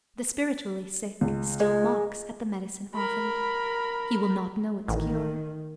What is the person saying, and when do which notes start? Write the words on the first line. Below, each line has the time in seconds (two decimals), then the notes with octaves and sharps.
The spiritually sick still mocks at the medicine offered; he will not know its cure.
1.21 C#2
1.60 G#3
2.95 A#4 B5
4.88 A1 D#3